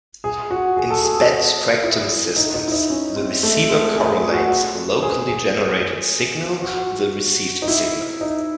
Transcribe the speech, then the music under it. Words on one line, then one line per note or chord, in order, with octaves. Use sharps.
In spread-spectrum systems, the receiver correlates a locally generated signal with the received signal.
G#4
F#4
G#4
A4
G#4
G#4
E4
D#4
D#4
E4
D#4
C#4
C4
A3
G#3
G#4
G#4
F#4
G#4
G#4
F#4
D#4
E4
D#4